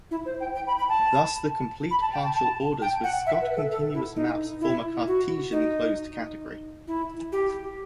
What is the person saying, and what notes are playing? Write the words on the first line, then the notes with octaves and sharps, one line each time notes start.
Thus the complete partial orders with Scott-continuous maps form a cartesian closed category.
E4
C5
G5
G5
B5
B5
A5
B5
A5
G5
A5
A5
G5
F#5
E5
B4
A4
A4
E4
D#4
E4
F#4
D#4
E4
G4